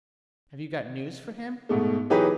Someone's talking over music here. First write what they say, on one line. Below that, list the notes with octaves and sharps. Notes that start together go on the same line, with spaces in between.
"Have you got news for him?"
G#2 B2 A3
E3 F#3 D#4 G4 G#4 B4